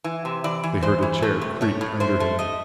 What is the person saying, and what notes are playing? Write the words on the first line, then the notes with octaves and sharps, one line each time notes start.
They heard a chair creak under him.
E3
C3
E3 D5
E3
E3 C5
E3
A3
C3
A3 C#5
A2
A3 C5
A3
A3 D#5